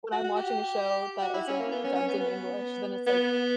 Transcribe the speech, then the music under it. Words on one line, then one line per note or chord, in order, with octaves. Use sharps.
when I'm watching a show that isn't dubbed in English, then it's like,
F#4
F#4
G4
F#4
E4
C#4
A#3
B3
C#4
C#4
B3
B3
B3